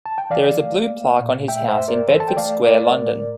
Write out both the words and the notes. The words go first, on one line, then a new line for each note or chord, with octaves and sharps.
There is a blue plaque on his house in Bedford Square, London.
A5
G5
E3 D5 F5
A3
A#3
A#2
A3 E5 G5
C5 E5
G2
A#4 D5
E3 A4 C5
A5
G5
A3 D5 F5
A3 A#4 D5
A2